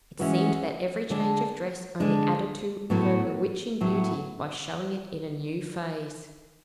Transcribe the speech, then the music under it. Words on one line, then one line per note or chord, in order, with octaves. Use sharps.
It seemed that every change of dress only added to her bewitching beauty by showing it in a new phase.
E3 G#3 C#4 F#4 B4
D3 G#3 D4
D3 G#3 D4
A2 F#3 B3 F#4
A2 F#3 B3